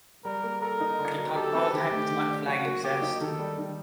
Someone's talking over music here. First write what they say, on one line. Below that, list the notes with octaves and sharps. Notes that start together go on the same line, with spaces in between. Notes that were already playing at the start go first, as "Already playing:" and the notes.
They talked all the time with unflagging zest.
G3 A#4
A#3
A4 A#4
D#4
D3
F#3
G4 A4
C4
D#3 G4
A3
D#3
D4
F#3 F#4
A#3
F#3 G4
D#4
D#3 A4
G3
D#3